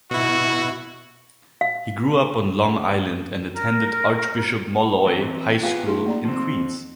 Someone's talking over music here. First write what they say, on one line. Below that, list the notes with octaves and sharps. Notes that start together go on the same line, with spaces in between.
He grew up on Long Island and attended Archbishop Molloy High School in Queens.
B2 E4 F#4
F5
A#4
E3 F#3 C4
C2 B3 F4 G#4 F5 G5
A2 D#4 G#4 C6
A#3 D5 A#5
F3 C4